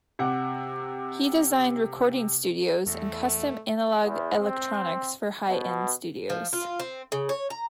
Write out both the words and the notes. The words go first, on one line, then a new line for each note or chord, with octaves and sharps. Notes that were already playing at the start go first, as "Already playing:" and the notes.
He designed recording studios and custom analog electronics for high end studios.
C3 F#5 D6
E2 A3
E2
C4
B2
F3
F4
C4
C#3
C#5
A#5